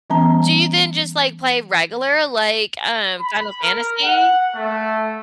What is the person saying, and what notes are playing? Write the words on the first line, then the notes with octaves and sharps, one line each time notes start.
do you then just, like, play regular, like, um, Final Fantasy?
E3 G3 B3 C#4 A5 A#5
B5
A#4
F#5
A3